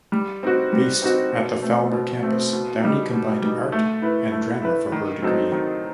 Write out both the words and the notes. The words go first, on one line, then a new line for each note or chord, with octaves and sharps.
Based at the Falmer campus Downey combined Art and Drama for her degree.
G3
C4 D#4 F#4
G3
C4 D#4 F#4
B2
A3 C4
B2
A3 C4
B2
G3 D#4
B2
G3 D#4
A3
E4 B4
A3
E4 B4
D#3
F#3 C4 D#4 A4
D#3